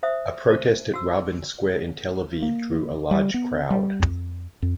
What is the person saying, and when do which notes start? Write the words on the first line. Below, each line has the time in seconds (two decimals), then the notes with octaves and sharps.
A protest at Rabin Square in Tel Aviv drew a large crowd.
0.03 C5 E5 D#6
0.47 C5 A5
0.94 F#4 E6
2.42 A#3
3.11 G3
3.34 B3
3.70 G3
4.00 F2
4.62 F2